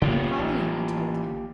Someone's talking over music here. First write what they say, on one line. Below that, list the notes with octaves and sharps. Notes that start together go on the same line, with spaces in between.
And Pollyanna told him.
C#3 A#3 B3 F4 G4
A1